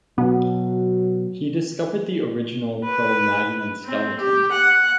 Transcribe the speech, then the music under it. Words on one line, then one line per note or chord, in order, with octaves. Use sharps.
He discovered the original Cro-Magnon skeletons.
B2 F#3 B3
B4
C4
G4
F#5